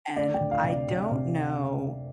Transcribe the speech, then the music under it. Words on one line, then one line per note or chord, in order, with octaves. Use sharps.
and I don't know
A3 D5
G5
D2
F5
C3
D5
C3
C3